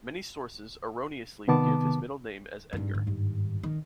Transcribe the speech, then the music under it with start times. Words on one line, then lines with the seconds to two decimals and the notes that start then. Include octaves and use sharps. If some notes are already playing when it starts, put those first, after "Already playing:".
Many sources erroneously give his middle name as Edgar.
1.48 C3 D#3 B3 A5 D6
2.73 G#1 G2
2.94 G#2 D3
3.07 G2 D#3
3.63 D#3